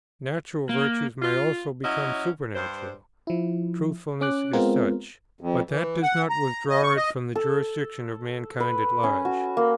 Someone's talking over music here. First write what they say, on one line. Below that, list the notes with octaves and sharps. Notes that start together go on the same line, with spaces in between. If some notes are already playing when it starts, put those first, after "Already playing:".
Natural virtues may also become supernatural; Truthfulness is such; but that does not withdraw it from the jurisdiction of mankind at large.
A#3
F4
F#3 C#4 E4 D#5
G2 C5
F3 E4
C#4 D6 F#6
G#3 B3 C4 F4 A#4
F2
E3
F#5
A#5
D#5
C#6
D#5
A4
B4
C#4
F#4
A#3